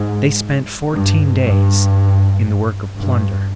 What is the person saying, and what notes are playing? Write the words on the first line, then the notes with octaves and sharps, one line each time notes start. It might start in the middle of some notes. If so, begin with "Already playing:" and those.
They spent fourteen days in the work of plunder.
Already playing: G#2
G2
G2
G2